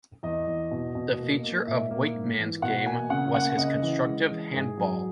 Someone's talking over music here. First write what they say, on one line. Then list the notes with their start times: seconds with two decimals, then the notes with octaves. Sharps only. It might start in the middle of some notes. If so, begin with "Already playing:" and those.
The feature of Weightman's game was his constructive handball.
0.23 E2 D#5
0.47 E2
0.71 B2
0.95 B2
1.19 A#3
1.43 A#3
1.67 A#2 E5
1.91 A#3
2.14 G#2
2.38 E3
2.62 B2 F#5
2.85 A#3 G#5
3.10 C#3 F#5
3.34 A#3 F#5
3.57 C#3 D#5
3.82 E3
4.05 G#3
4.30 E3
4.53 G#2 G#4
4.78 F#3